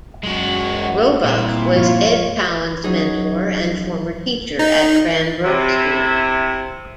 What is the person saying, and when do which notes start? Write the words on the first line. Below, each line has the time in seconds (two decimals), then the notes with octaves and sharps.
Roebuck was Ed Cowan's mentor and former teacher at Cranbrook School.
0.24 F#2 F#3 G#3 F#4
0.82 F#5
1.24 A#2 G3 C4 E4
1.76 G2 F3 F4 C#5 F5
2.84 F#3 C#4 D#4 G#4
4.59 D#4
5.45 C3 E4